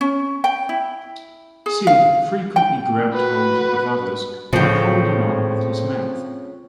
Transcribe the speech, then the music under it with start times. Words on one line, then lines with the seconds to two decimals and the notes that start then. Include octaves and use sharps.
Sid frequently grabbed hold of others by holding on with his mouth.
0.01 C#4
0.44 G5
0.69 E4
1.66 G#4
1.87 F5
2.56 G5
3.13 F#4 B4
4.53 A2 C#3 F3 C4 G5